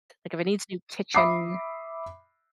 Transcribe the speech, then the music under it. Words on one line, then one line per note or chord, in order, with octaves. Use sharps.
Like, if it needs new kitchen
E5 B5 D6 D#6 C7